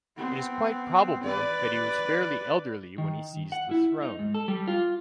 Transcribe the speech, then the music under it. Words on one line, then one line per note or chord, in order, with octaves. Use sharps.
It is quite probable that he was fairly elderly when he seized the throne.
B3 C4
B4 D5
D#3
F#5
E4
D#4
G#2
A4
G3
F4